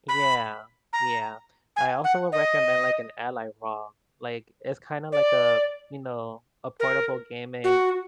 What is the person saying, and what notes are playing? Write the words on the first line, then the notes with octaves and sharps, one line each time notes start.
Yeah. Yeah. I also would recommend like, an Ally ROG, like, it's kinda like a, you know, a portable gaming,
B5
A#5
G#5
F#5
D#5
D5
A#4
F#4